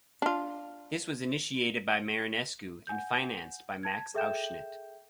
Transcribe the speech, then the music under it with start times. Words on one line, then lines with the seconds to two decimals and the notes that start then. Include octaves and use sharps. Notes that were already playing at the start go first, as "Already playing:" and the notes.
This was initiated by Marinescu and financed by Max Auschnitt.
0.22 D4 F4
2.87 F#5 G#5 G6
3.83 A5 G#6
4.14 G#4 A4 E5 G5 G6 E7